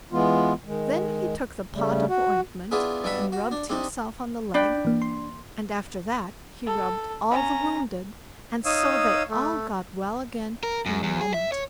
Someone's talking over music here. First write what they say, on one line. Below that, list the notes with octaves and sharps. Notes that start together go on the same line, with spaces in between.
Then he took the pot of ointment and rubbed himself on the leg, and after that he rubbed all the wounded, and so they all got well again in a moment.
E3 G#3 B3 F4
D#3 G#3
C#3 G3 A3
F#4
B3 D4 E4 F4 G#4
G2 B2 D4 E5 F#5 B5
F#4
D4
C3 C4 D4 D#4
D4 D5 G5 B5 G6 B6
E3 A#3
C6
A4
C#4 A#5
D#4 C#5 F5 D#6 E6
A3
A#4
F#2
E2
G#4
E5
C#5